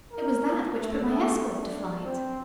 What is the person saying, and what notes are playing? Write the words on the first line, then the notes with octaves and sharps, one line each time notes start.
"It was that which put my escort to flight."
A#4
A3
D4
C4